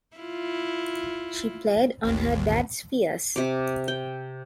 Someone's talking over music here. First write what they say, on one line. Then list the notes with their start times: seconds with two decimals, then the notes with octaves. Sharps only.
She played on her dad's fears.
0.17 E4 F4
2.04 A1 D#2
3.36 C3 D6
3.88 G5